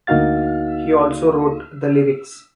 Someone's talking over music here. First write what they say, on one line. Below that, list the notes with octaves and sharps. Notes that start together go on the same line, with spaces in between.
He also wrote the lyrics.
D2 A#3 D#4 F#4 F5 A6